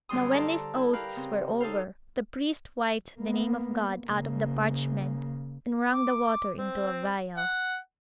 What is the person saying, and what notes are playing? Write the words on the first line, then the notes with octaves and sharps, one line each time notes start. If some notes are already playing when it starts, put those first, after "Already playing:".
Now when these oaths were over, the priest wiped the name of God out of the parchment, and wrung the water into a vial.
F#2 D3 G3 C6 D#6
A4 C5 D5 F5 A5 A#5
E4
G4 A#4 B4 F5 A#5
C#3 C4
D#4 A4 C5 F5
A#3 B3
C#3 A#3
D6
C4
F#5